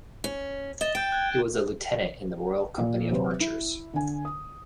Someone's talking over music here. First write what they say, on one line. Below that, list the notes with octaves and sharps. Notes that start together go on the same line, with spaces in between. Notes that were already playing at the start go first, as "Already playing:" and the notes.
He was a Lieutenant in the Royal Company of Archers.
C#4
D#5 A6 E7 G7
G5 G6 D7
F#6 G#6
A#2
C3 F#3 B4 C5
E4
D3 G#5
D#6